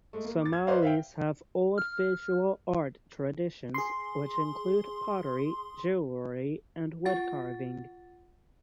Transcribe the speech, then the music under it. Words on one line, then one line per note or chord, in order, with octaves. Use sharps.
Somalis have old visual art traditions, which include pottery, jewelry and wood carving.
G#3 A3
A#3
D6 A6
G#6
B4 C5 D5 D#5 F5
E5 F5 G5
F6
G#4 C6
F4 F#5 A6